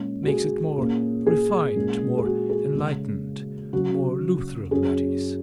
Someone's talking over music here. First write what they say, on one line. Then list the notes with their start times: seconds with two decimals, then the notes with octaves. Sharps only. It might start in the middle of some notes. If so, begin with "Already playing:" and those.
It makes it more refined, more enlightened, more Lutheran that is.
Already playing: A#2 G#3 C#4
0.23 F#4
0.28 G#4
0.78 A#2 A#3 C#4
1.26 G#4
1.76 A#2 G#3 C#4
2.18 G#4
2.25 F#4
2.50 G#4
2.75 C#3 G#3 C#4
3.73 C#3 F#3 C#4 F#4
4.71 F#2 F#3 C#4 G#4